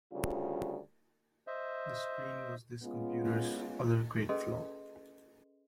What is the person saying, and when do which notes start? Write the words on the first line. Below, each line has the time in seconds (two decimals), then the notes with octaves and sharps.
The screen was this computer's other great flaw.
0.12 D2 C#3 G3 F4
1.47 C5 D#5 E5
2.83 G#3 B3 C#4 F4
4.29 C#4 G#4 A4 B4 D#5 C6